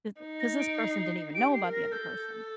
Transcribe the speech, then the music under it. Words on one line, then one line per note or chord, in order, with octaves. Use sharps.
'cause 'cause this person didn't even know about the other person.
D#4
A#6
D7
C7
G4 D7
C7
A#4
A#6
A4 G6